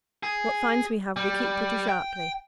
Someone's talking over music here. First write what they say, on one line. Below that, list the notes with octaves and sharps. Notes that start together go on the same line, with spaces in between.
What fines we have, we keep pretty sharply.
G#4
G3
G5